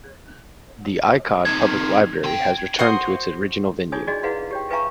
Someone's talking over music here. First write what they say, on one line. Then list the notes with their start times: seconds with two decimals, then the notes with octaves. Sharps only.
The Icod Public Library has returned to its original venue.
1.45 C3 D#3 G#6
2.24 C3 G5
2.79 F#4 C5 C6 D#6
3.92 D#4 F4 G#4 C#5 G#5 D#6
4.07 D4 F#4 G#4 D5 D#5
4.23 E4 G#4 B4 F5 F#5 C6
4.51 G4 C#5 G5
4.71 B4 E5 F5 G#5 A#5 C#6